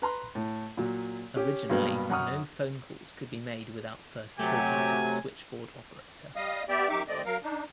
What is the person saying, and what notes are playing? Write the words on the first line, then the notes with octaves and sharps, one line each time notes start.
Originally, no phone calls could be made without first talking to the Switchboard operator.
B4 A#5 C6
A2
A#2 F#3
C#4 G4
G2 B2 F#3 A#3 B3
F#2 F#5 A#5 C#6 D#6 F6
C3 F#3 A3 G4 G#5
G3 D#5 F5 D#6
B3 G4 D5 E5 G5
F#2 D#4 G4 E5 C#6 D6
D#2 A3 C4 D5 D#5
F#3 A#4 F5
D4 D#4